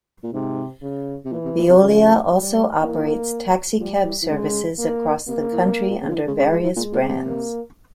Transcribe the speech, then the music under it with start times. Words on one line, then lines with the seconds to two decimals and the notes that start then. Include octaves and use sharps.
Veolia also operates taxicab services across the country under various brands.
0.23 A#2
0.33 G#2 C3
0.82 C#3
1.25 C3
1.32 A#2 E3
1.45 C3
1.57 A#2
1.69 C3
1.82 C#3 F3
2.32 G3
2.81 E3 A#3
3.79 F3 G3
4.04 E3
4.22 E3
4.28 C#3 G#3
4.78 A#3
5.28 C3 A#3
5.41 C#3
5.52 E3
5.65 C3
5.90 A#2
6.02 C#3
6.09 F3
6.15 E3
6.27 C#3 G#3
6.39 C#3
6.52 F3
6.64 E3
6.77 A#2 G#3
6.92 A#2
7.09 C3
7.26 A#3